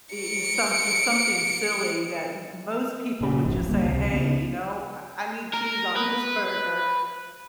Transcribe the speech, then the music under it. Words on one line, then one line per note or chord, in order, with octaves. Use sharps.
e e some something silly that m most people would just say, "Hey, you know, I I need cheese on this burger,"
C#7 D7
A#2 C#3
D1 A#1 G#2 F3
A#1 D3 G3 A#3
C#2 C3
C#3 B3
A#4
B4